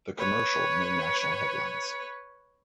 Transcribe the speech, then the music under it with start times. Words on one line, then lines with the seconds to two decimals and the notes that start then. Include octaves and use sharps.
The commercial made national headlines.
0.18 B4 C#5